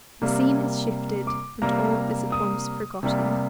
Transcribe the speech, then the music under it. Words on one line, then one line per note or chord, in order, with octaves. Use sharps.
The scene is shifted, and all is at once forgotten.
C3 G3 A#3
D6
C3 G3 A#3 A#5
D#6
C3 G3 A#3